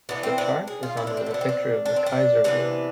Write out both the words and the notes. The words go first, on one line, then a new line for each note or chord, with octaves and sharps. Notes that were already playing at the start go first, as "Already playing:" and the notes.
The chart is under the picture of the Kaiservilla.
E3 B3 D4
C4
D4
G#4
F4
E4
D4
C4
B2 B3 D4 E4
C4
D4
D4
C4
D4
C3 E3 B3 D4